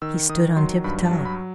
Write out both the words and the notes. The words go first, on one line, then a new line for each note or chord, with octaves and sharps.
He stood on tiptoe.
D#3 E6
D#3 D#6
F#3 C6
G2 B5
A5
F#3
B5